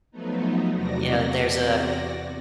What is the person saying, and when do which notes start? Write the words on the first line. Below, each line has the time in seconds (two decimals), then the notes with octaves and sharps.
you know, there's a
0.11 F3 F#3 A3 B3 D#4
0.73 E2 C3 F#4 D5 A#6